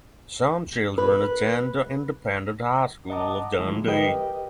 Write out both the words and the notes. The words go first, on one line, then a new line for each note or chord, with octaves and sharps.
Some children attend the independent High School of Dundee.
B4
D#5 F#5 A5 A#5 D6 D#6
D3 F3 G#3 E4
G4 A#4 B4 D#5 G5